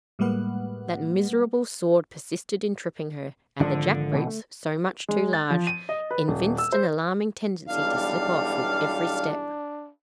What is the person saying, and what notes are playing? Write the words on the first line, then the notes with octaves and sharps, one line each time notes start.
That miserable sword persisted in tripping her, and the jack-boots, so much too large, evinced an alarming tendency to slip off with every step.
A2 G3 G#3 A#3 B4 F#5
G#1 D3 F3
B2 E3 G#3
A3
G#3
A6
F3
D#7
D#5
B4
D#1
E6
C5
B1 E2 G3 D4 F5